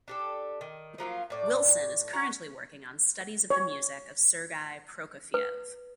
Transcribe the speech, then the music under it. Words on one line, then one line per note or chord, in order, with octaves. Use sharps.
Wilson is currently working on studies of the music of Sergei Prokofiev.
D4 G4 A4
D#3
F3 F#3 A#3 F4
A2 D5
C#4 F#4 F#5 A#5
C#5
B4